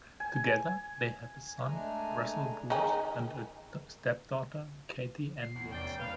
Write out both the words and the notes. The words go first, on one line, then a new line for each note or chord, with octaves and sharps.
Together they have a son, Russell Bruce, and a stepdaughter, Kathy Ann Wilson.
G#5
G#3 A3 D4 G#5 A#5
D#3 D#4 G#4
C7
E2
F1 C#4 D5 G5
F#1 B3 B4 F5